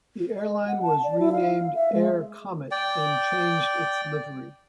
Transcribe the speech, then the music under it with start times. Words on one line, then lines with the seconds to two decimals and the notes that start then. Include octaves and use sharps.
The airline was renamed 'Air Comet' and changed its livery.
0.36 D#5
0.67 F#5
0.82 A5
1.04 D5
1.19 E4
1.32 F5
1.75 E5
1.93 G#3
2.71 D5 G5